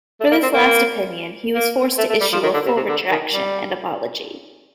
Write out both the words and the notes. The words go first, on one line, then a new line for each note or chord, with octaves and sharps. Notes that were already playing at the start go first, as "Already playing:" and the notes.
For this last opinion he was forced to issue a full retraction and apology.
A3
A#3
C4
A#3
A#3
A3
A3
G3
F3
D#3
D3
C3
C3
D3
D#3
G3